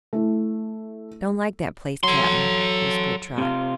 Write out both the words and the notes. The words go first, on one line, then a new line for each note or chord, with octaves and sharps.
"Don't like that place, Cap'n," whispered Trot.
A3 E4
F#3 A4 C6
C3 F4